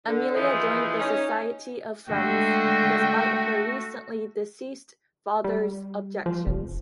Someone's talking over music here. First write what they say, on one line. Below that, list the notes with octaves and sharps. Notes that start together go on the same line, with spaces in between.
Amelia joined the Society of Friends despite her recently-deceased father's objections.
D3
E3 F3 D#4 E4 G#4 B4
C#4 D#4
D3 G#3 A3 F#4 G5
G3
F3
F1